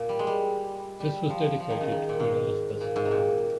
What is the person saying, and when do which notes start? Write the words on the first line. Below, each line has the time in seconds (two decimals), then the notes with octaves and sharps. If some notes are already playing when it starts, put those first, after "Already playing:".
This was dedicated to Queen Elizabeth.
Already playing: A#2
0.09 G3
0.19 G#3
0.27 G3
1.00 G3
1.30 F3
1.44 F3
1.60 F3
1.70 D#3
1.81 C#3
1.92 D#3
2.09 A#2
2.20 G#2
2.81 A#2
2.96 G#2
3.05 C3
3.11 A#2